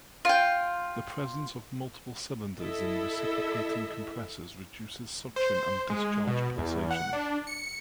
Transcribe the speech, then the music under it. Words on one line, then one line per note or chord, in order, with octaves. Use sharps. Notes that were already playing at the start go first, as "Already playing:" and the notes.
The presence of multiple cylinders in reciprocating compressors reduces suction and discharge pulsations.
F4 G5
E4 A4 D#5 E5
C5
C5
G#3
B2
E2
F#5
D4
C#7